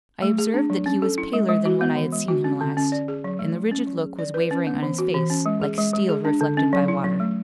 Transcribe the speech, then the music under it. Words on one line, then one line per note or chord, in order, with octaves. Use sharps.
I observed that he was paler than when I had seen him last, and the rigid look was wavering on his face, like steel reflected by water.
A3
G#4
D4
F#3
C#4
A4
E4
G#3
G#3
F#4
B3
E3
G#3
F#4
C#4
D3
C#4
D5
G#4
F#3
A3
E4
C#4
F#3
G#4
D5
B4
C#4
B3
E3
F#4
E3
C#4
G#3
G#4
G#3
G#3
G#4
D4
D3
C#4
F#3
E4
F#3
A3